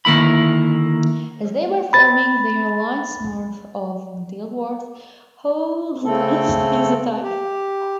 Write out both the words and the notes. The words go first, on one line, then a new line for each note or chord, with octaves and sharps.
As they were forming their lines north of Dilworth, Howe launched his attack.
D3 D#3 A#3 E4 B5
B5 A6
C#3 A3 C4 A4
G4